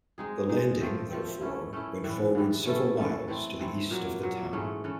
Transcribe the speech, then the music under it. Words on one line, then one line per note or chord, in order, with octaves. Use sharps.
The landing, therefore, went forward several miles to the east of the town.
G#3 C4 D#4 G#4
G#3 C4 D#4 G#4
F3 A3 C4
F3 A3 C4
A3 C#4 E4
A3 C#4 E4
A2 E3 G3
A2 E3 G3
A3 C#4 E4 A4
A3 C#4 E4 A4
E3 A3 C4 E4
E3 A3 C4 E4
A#2 F#3 A#3
A#2 F#3 A#3
G#2 E3 A3 C#4
E3 A3 C#4